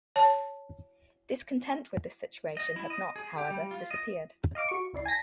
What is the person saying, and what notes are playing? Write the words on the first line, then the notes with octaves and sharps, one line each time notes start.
Discontent with this situation had not, however, disappeared.
C#5 A5
D#5
E4
D#5
G#4
G4
G3
F4
D#5
D#5 F5 D6 D7
F#4 C#6
C#2 E4 D5 C7
G#5 A5 A#6 B6